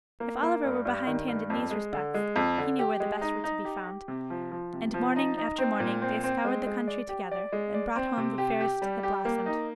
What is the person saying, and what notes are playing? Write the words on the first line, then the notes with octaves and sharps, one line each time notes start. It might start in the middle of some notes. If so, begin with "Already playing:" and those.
If Oliver were behindhand in these respects, he knew where the best were to be found; and morning after morning they scoured the country together, and brought home the fairest that blossomed.
A#3
A#3
G2
G2
D#3
G2
F2
G#3
D3
G#3
F2
D3
G4
G#3
D#4
D#4
G4
G4
C3
F3
F3
C3
F3
D#4
D#4
C4
A#2
C4
C4
G#3
G#3
D5
G4
D5
G#3
D5
C4
C3
G4
G4
G3
G4
A#3
D#4